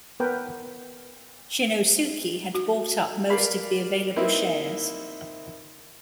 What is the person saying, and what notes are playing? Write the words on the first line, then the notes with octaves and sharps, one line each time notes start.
Shinnosuke had bought up most of the available shares.
B3 A#4 B4 G5
F#4
A#4 B4 D5 F5 B5
A#3 C4 D#4 E4 A#4 B4